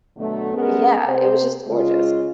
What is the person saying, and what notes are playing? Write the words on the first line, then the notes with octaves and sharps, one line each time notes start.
yeah, it was just gorgeous.
B2 D3 F#3 A3
G#3 B3 C#4 G#4 A#4
C3 C4 C5
C#3 G#3 F4